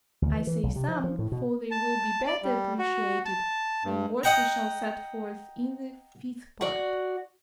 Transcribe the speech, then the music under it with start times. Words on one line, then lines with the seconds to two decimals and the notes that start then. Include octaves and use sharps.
I say "some," for they will be better appreciated from what we shall set forth in the fifth part.
0.22 D2
0.34 E3
0.47 E3
0.63 B1
0.76 C3
0.88 F3
1.04 F3
1.19 A2
1.32 B2
1.71 A5
2.27 D5
2.43 G3
2.79 F#4
3.25 A5
3.84 G2
4.23 D#5 F#5 G5 A#5
6.61 F#4 D5